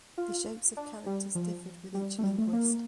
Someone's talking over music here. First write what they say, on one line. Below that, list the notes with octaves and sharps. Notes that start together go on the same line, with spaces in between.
The shapes of characters differed with each linguist.
F4
D4
G3
F3
G3
A3
G3
A3
A#3